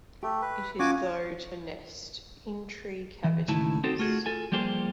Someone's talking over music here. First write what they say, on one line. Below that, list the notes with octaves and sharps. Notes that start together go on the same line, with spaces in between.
It is though to nest in tree cavities.
A3 G4
B4
C#4 F4 F#4 G#5 D6
E3
C#2 A2 D#3 E4 A5
C4 D#4 F#4 G4 A4 C5
A3 F4 F#4 G#4
F4 A4 G#5
F3 G3 A#3 G4 G#4 C5